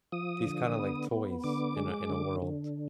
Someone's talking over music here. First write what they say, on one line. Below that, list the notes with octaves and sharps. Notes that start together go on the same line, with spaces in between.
these kinda, like, toys in a in a world,
F3 D#6
D3
B3
B3
D3 D6
G#3
D3
D3